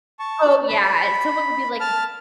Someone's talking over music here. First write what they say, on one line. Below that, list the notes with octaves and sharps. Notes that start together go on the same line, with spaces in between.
Oh, yeah, someone would be like
A5 C#6
B5
A5 F6